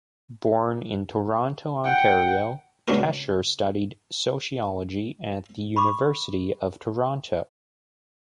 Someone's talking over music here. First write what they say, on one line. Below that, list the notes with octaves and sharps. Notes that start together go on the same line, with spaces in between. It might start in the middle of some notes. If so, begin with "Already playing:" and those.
Born in Toronto, Ontario, Tesher studied sociology at the University of Toronto.
F#5 G5
C#2 D4 F#4 A#4
B5 C#6 D6